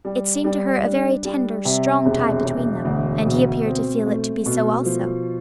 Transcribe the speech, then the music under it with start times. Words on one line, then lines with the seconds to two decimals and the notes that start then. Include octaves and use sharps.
It seemed to her a very tender, strong tie between them, and he appeared to feel it to be so also.
0.05 G3
0.44 G3
0.85 D4
1.25 G3
1.65 C3
2.06 E1
2.45 E1
2.85 D2
3.26 B2
3.66 C4
4.06 A3
4.46 B2
4.85 F3